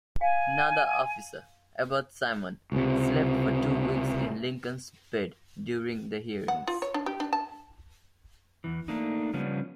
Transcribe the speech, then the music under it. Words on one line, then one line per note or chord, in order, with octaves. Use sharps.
Another officer, Abbott Simon, slept for two weeks in Lincoln's bed during the hearings.
F5 G5 G#5
C#2 C3
F#5
F4
C#5
D4
G4
D4
A5
E2 E3
A3 A#3 D4 D#4
C#3 F3 G3 B3 C#4 D4